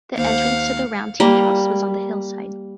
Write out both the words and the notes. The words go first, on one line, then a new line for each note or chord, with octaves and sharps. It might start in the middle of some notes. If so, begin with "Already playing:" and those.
The entrance to the round teahouse was on the hillside.
D#2 C5 F5 F#5
G3 A#3